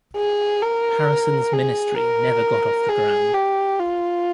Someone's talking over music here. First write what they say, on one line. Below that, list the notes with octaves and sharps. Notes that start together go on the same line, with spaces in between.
Harrison's ministry never got off the ground.
G#4
A#4
G#4
A#4
G#4
G4
F4